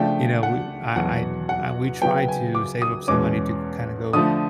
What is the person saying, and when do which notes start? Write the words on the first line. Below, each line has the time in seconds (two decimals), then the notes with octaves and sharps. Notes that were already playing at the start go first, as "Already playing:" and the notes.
you know, we I I d I we try to save up some money to k kinda go
Already playing: C#3 F3 A3 D4 G5
0.43 F#5
0.96 E2 B2 F#3 F#5
1.49 F#5
2.02 C#3 F#3 B3 G5
2.28 G#5
2.55 D6
2.82 D#6
3.08 E2 B2 G#3 C#4 D6
4.13 D3 F3 A3 D#6